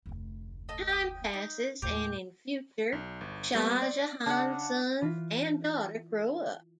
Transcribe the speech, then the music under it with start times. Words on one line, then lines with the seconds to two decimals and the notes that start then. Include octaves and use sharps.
Time passes, and in future Shah Jahan's sons and daughter grow up.
0.06 F1 D2
0.69 A4 D#5
0.89 G5 D#6
1.33 D#4
1.82 D#2 A2 G4
2.92 B1
3.21 G1
3.55 G3 A#3 B3
3.82 D5
4.26 C#3 D4 F#5
5.01 E3 F4 B6